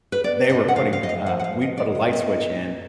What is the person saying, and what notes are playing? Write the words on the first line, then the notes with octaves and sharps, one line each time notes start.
they were putting uh, we'd put a light switch in,
B4
B3 D5
D4 D#5
F#5
F3 F5
F5
F#2 D#5
F5
F3 F#5
F#5
F5
B3
D#5
G#3 D5
D#5
B3
D#5
D#4
A#2